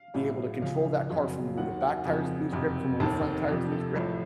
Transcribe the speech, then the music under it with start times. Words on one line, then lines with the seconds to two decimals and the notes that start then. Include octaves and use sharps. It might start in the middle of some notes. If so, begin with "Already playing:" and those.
be able to control that car from when the back tires lose grip, from when the front tires lose grip.
Already playing: F5
0.14 A1 A2 F#3
0.62 C#2 C#3 F3 F5
1.10 F#1 F2 C#3 F#3
1.57 D#2 D#3 F#3 F#5
1.81 F#5
2.05 F2 C#3 F3
2.53 F#1 F2 C3
3.00 F1 D#2 D#3 A5
3.48 F2 C3 F3
3.72 A4
3.95 A1 A2 F3